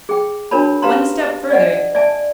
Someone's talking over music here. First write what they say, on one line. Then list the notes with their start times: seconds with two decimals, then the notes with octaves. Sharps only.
'One step further....
0.09 G#4 G5
0.51 D4 F#4 A#4 C#5 A5 B5
0.82 G4 B4 F5 A5 A#5 C6
1.50 D5 D#5 F#5 G#5
1.95 D5 E5 G#5 A5